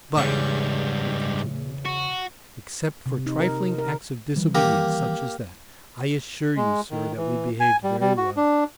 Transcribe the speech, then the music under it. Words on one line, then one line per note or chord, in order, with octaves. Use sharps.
But," he continued, "except for trifling acts of disobedience such as that, I assure you, sir, that we behaved very well.
E2 G#2 C#3 G3 C#6
F#4
C3
D#4
A#4
A#4
D#3 E3 G3
A#3 G4 A#5
G#3
D#3
E3
G#5
G3
G3
F#4
D4